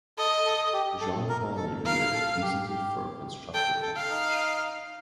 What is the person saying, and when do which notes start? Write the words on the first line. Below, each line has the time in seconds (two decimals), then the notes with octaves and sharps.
Jean-Paul Nerriere uses it for a constructed language.
0.18 A4 D#5
0.45 A4
0.73 G4
1.01 A4
1.29 A#4
1.57 A4
1.85 A#4 F5
2.14 A4
2.42 G4
2.70 G4
3.53 A4 G5
3.82 A4
3.96 F5
4.10 D#4